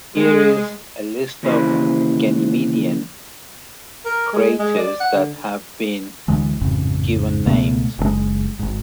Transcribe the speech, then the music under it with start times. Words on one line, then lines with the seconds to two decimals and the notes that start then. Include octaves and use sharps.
Here is a list of Ganymedean craters that have been given names.
0.15 G#3
1.43 D#2 C#3 E3 B4 C5
4.05 A#4
4.33 G#3
4.59 G#3
4.78 D5
5.01 F#5
5.13 D3
6.28 D2 D3 E3 G#3
6.61 A1 F2 G#2 C#3
7.46 C#2 B2 A3 B3
7.99 F#1 C3 G#3
8.59 G#1 G#2